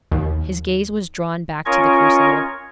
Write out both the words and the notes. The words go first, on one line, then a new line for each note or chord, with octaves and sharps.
His gaze was drawn back to the crucible.
D#2
C#4 F4 A#4 C#5 D#5 C#6